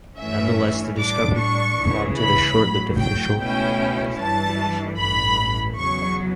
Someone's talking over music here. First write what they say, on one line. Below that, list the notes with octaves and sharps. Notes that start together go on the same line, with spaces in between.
Nonetheless, the discovery prompted a short-lived official investigation.
G2 E3 A3 C#4 E5
A2 G3 D4 D6
C#6
C#2 C#3 E3
B5
A1 A2 F#3
G5
C#2 B2 A3 C#4 E4 G5
G2 E3 G3 A5
A1 G2 E3 B5
E2 C#3 F#3 C#6